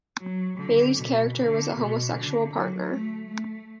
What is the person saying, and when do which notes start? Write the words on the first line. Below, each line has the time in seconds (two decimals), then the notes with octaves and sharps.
Bailey's character was a homosexual partner.
0.19 F#3
0.57 D3
0.96 B2
1.35 D3
1.74 B2
2.12 D3
2.52 F#3
2.90 A3
3.29 A3